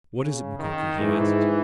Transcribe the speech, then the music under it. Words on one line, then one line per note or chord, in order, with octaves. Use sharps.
"What is it, Mukoki?" he asked.
C#3
D#3
G#2 E3